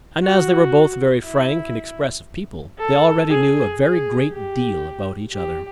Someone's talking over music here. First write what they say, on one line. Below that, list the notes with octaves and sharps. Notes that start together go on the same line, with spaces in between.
And as they were both very frank and expressive people, they already knew a very great deal about each other.
F#4
E4
A4
G#4
G#4
G4
G4